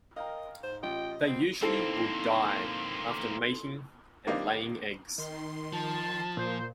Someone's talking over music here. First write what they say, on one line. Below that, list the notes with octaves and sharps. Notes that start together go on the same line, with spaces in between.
They usually will die after mating and laying eggs.
A#4 D#5 F5 G5 A#5
G#2 C5
A1 F4 D#5 G5
B3 C4
A#3 C4 D#4 E4 A4 C5 C6
D#3 G3 A#3 C4 D4 D#4
D#3 C6
F3 A5
A#2 C5